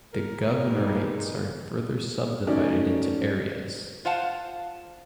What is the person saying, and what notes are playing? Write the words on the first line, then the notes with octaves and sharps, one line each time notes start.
The governorates are further subdivided into areas.
A#4
G3 G#3 D#4
D#3 A3 C#4 D#4 F#4 D5
F4 C5 F5 F#5 A5